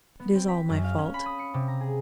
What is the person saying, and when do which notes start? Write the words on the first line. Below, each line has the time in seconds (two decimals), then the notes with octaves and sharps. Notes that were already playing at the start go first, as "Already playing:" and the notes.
It is all my fault.
0.20 B3
0.35 C4
0.48 B6
0.69 F#2
0.84 F5
0.98 C#4
1.14 B5
1.26 D#6
1.39 C#7
1.54 C3
1.68 A#5
1.81 G#4